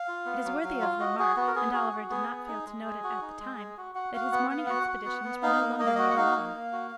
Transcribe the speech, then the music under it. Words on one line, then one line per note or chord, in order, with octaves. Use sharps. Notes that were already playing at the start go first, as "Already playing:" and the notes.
It is worthy of remark, and Oliver did not fail to note it at the time, that his morning expeditions were no longer made alone.
Already playing: F5
F4
B3
F#3
F#3
F4
F#4 D#5
F#4 G#4
B3 F#4
A#4
B3 G#4
F#4 G#4
F#4
B3 G#4
B3
D#4
G#3
G#3
F#4
D#4
G#3
G#3
F#4
F#4 F#5
F#4 F5
B3 F#5
B3 F#5
F5
F#4 F#5
F#4
B3
B3
D#4 F5
A#3
A#3 D#5
F5
F#4 D#5
F#5
D#4 F5
A#3
A#3
F#4